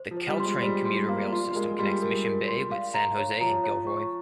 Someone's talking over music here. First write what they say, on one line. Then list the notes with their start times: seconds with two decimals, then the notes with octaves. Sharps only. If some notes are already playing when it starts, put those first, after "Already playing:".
The Caltrain commuter rail system connects Mission Bay with San Jose and Gilroy.
Already playing: C5
0.11 F3
0.17 C5
0.28 G3
0.40 C6
0.46 G#3
0.62 G3 C5
0.86 C6
1.09 A#3 F5
1.32 F4 C6
1.55 G#3 A#4
1.79 G3 C6
2.02 A#4
2.25 A#4
2.48 C6
2.72 F5
2.94 A#5
3.18 C#5
3.41 F3 A#5
3.64 C#5
3.87 C#6